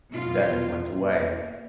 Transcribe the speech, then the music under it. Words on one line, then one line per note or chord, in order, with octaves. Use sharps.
Then it went away.
B2 F4
A#3